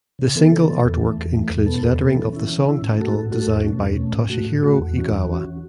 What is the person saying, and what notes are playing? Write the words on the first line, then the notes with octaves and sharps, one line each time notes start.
The single artwork includes lettering of the song title designed by Toshihiro Egawa.
C#3
E3 B3 A4
C#3
E3 B3 A4
E2
E3 A3
E2
E3 A3
E2
B2 B3 A4
E2
B2 B3 A4
E3
C#4 E4
E3
C#4 E4
A2
A3 F#4 A4
A2
A3 F#4 A4
E2
B2 A3 C#4
E2
B2 A3 C#4
A2
A3 F#4
A2
A3 F#4
E2
E3 C#4 F#4
E2
E3 C#4 F#4